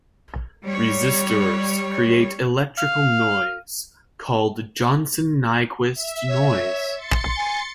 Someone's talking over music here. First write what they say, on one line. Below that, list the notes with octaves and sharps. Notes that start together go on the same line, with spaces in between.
Resistors create electrical noise, called Johnson-Nyquist noise.
G3 C#5
F5
E5
C#5
C6 A6 C#7
G#5